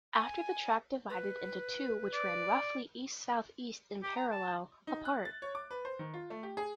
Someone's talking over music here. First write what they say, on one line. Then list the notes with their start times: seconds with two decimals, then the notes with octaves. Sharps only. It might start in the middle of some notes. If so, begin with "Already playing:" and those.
After the track divided into two which ran roughly east-south-east in parallel, apart.
0.15 G#5
1.10 B4
2.14 D5
4.03 G4
4.16 A#5
4.31 A5
4.87 D#4
5.05 F#6
5.25 A6
5.42 C#5
5.55 D6
5.71 B4
5.85 C5
5.99 D#3
6.14 F4
6.30 A3
6.43 G4
6.57 G#4